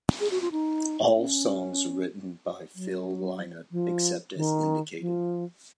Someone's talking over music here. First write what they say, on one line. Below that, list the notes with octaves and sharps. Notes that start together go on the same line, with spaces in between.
All songs written by Phil Lynott except as indicated.
G#4
F#4
F4
D#4
C#4
F#3
F3
D#3
F3